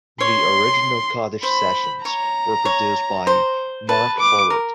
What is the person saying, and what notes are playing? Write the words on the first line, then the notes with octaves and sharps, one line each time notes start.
The original cottage sessions were produced by Mark Howard.
C#5 C6
C5 B5
C#5 A#5
C#5
C5
B4 A5
D6
A#4